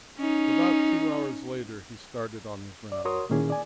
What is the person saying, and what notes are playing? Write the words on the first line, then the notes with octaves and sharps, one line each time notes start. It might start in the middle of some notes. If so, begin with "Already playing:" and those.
About two hours later he started on his round.
C#4 D#4
D5
F#4 A#4 C#5 C6 D#6
A#2 D#3 A#3 C#4 E4 G#4
D5 G#5